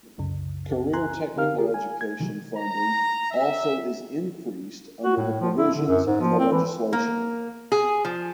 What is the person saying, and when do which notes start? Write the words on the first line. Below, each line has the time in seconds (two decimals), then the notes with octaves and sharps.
Career technical education funding also is increased under the provisions in the legislation.
0.18 C2 F#2 C#3
0.93 G#5 A#5 C6 F#6
1.36 D3 D#4 G4 A#4 F5 F6
1.58 F4 G4 G#4 A#4
1.74 G#5
2.01 G#6
2.20 C3 D#3 E3 F#3 G3
2.56 A#5
3.31 E5
5.04 F#4
5.17 A2
5.40 F3
5.56 E4
5.75 D3
5.88 F#2
6.07 G#2
6.21 F3
6.39 C4
6.52 E3
6.93 A#3
7.72 G#4
8.05 F3